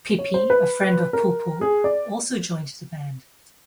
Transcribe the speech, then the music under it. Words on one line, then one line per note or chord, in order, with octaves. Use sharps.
Pipi, a friend of Pulpul, also joined the band.
C#5
C5
B4
A#4
G#4
D5